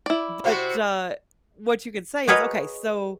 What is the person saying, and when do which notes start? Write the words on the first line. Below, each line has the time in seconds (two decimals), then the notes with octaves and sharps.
but, uh, what you could say is, "Okay, so"
0.06 E4 D5
0.44 C3 C4 F#4
2.28 F#4 G#4 A#4 B4 C#5 D#5